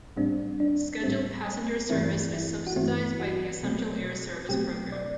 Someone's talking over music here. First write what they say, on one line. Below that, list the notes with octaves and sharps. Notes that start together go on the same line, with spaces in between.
Scheduled passenger service is subsidized by the Essential Air Service program.
A2 G3 C4 D4
D4
A2 G3 C4
G2 E3 A3 C4 E4
E4
F#4
G2 E3 A3 C4 E4
F#4
B2 F#3 A3 C4
B2 F#3 A3 C4 G4
D5